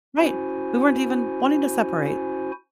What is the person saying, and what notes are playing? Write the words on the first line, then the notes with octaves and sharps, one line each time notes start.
Right. We weren't even wanting to separate.
C#4 E4 F#4 C5 G#5